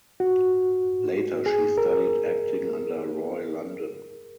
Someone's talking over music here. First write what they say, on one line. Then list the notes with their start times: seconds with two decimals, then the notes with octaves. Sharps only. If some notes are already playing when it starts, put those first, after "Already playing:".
Later, she studied acting under Roy London.
0.20 F#4
1.46 G#4
1.78 A#4